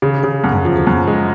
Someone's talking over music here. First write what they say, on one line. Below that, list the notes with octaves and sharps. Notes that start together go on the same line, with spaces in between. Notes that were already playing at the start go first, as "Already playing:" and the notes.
"Can we go in there?"
C#3
C#3
F#2
F3
F#2
G#3